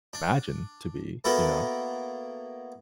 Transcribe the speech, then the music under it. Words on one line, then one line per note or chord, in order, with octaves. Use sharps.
imagine to be, you know?
D4
A#3 B3 E4 F#4 A4 A#4